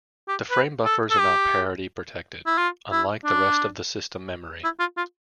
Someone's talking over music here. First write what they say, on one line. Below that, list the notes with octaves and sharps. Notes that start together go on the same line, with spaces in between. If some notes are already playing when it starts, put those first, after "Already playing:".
The frame buffers are not parity-protected, unlike the rest of the system memory.
G4
B4
A4
A4
G4
E4
F4
E4
D4
E4
F4
F4